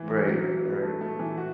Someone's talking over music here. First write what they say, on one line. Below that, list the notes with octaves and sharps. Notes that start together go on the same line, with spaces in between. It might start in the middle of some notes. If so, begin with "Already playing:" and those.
Right, right.
Already playing: E3
E3
F#3
B3
A3
A3
E3
F#4